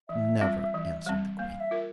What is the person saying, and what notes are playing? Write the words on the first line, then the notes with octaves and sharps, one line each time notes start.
"Never," answered the Queen.
E3 E5
G3 C4 F4
E3
G3 C4
A#3 F5
E5
F4 A#4